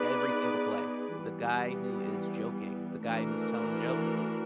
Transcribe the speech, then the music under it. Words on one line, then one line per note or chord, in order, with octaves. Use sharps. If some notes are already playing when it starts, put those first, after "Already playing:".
every single play. The guy who is joking, the guy who's telling jokes.
Already playing: B3 D#4 G#4 B4 D5
E3 G3 B3
E3 A3 D4 F#4 A#4